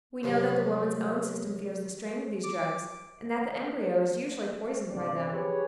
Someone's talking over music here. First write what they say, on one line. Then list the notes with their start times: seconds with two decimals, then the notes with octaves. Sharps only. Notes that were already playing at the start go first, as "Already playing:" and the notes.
We know that the woman's own system feels the strain of these drugs and that the embryo is usually poisoned by them.
0.23 F#2 C3 F3
2.44 D6
4.90 G1 C2 C4 D5
5.32 G4 G#4 B4 C#5